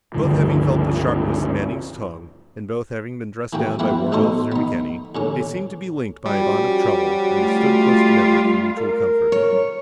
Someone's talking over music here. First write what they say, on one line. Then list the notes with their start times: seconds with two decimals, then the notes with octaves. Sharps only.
Both having felt the sharpness of Manning's tongue, and both having been dressed down by Warrant Officer McKenny, they seemed to be linked by a bond of trouble and they stood close together for mutual comfort.
0.14 C#2 G2 D3 F3
3.53 E3 A#3 F#4 G5
3.79 E2 F3 C4 E4 F#5
4.12 A1 B2 D#4 A4 C5 C#6
4.52 B3 D#4
5.15 D#2 D3 C#4
6.26 F3 G3 C#4 F#4
7.35 A3 F4
8.77 A#4
9.32 C#5